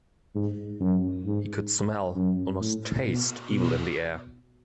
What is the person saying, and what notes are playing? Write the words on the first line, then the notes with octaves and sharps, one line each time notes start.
He could smell, almost taste, evil in the air.
G#2
F#2
G#2
F#2
A2
B2
B2